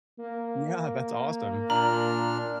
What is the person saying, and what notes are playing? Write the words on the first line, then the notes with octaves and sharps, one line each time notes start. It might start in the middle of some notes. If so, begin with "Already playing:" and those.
Yeah, that's awesome.
A#3
A#2 D4 A#5 F6